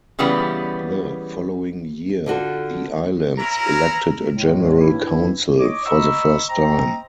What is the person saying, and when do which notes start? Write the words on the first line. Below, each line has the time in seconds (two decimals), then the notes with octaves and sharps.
The following year the islands elected a General Council for the first time.
0.19 C#3 E3 G3 B3
2.26 D3 F4 F#4 A4
3.38 C#4 E4 A#4 A#5
4.31 A2 G#3
4.80 G2 E4
5.60 C#5 D#5 D6
5.86 D#5 A#5 B5 C#6 E6
6.49 C5 D#5 G5 A#5